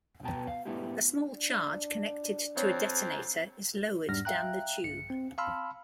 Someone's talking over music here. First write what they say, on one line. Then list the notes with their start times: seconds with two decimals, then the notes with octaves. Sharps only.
A small charge connected to a detonator is lowered down the tube.
0.23 B2 B3 G5 A5 A#5
0.47 F5
0.65 G#2 A3 B3 D4 E4 G4
1.31 D4
2.56 F2 C4 C#5
4.09 E2 G#2 G3 D4 F6 A#6
4.25 E5 F5 G5 A#5 F#6
4.84 A#1 G2 C#7
5.10 C4
5.38 F5 A5 B5 C6 E6 F6